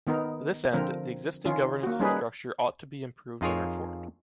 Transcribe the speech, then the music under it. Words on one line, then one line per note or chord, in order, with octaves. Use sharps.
To this end, the existing governance structure ought to be improved and reformed.
D#3 B3 D#4 A#4
D3 F3 C4 A#4
D#3 C#4 F4
A#3 F#4
G3 C#4 D#4 G#4 A#4 B4
F2 D#4 F4 G#4 A#4 C#5